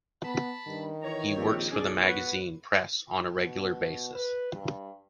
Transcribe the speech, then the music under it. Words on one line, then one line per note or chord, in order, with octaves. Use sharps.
He works for the magazine press on a regular basis.
B3 A5 B5
G2 D#3
E3 C#5 A#5
A#1 C4 G4
B1 C#4 D4 G#4 D5
B3 F#4 B4 C#5 F#5
B2
B4
G2